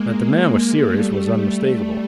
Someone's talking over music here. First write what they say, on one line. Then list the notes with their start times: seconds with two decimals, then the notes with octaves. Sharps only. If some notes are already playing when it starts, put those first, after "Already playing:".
That the man was serious was unmistakable.
Already playing: G#3 A#3
0.86 G3 A3
1.39 G3 A3